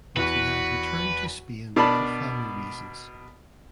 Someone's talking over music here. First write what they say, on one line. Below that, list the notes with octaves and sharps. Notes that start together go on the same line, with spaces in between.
But he had returned to Spain for family reasons.
E2 F#4 B4
B2 D4 A#4 D5 A5 B5